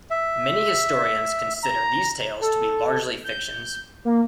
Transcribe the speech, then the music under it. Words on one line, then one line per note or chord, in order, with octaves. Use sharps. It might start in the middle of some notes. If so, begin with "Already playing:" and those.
Many historians consider these tales to be largely fictions.
E5
A#5
A4
G6
A#3